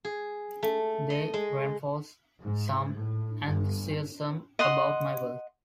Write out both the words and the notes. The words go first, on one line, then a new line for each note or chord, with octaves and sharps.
They reinforce some enthusiasm about my work.
G#4
A3
D#5
G#3
G#2
A2
G1
D#5 F#5 C6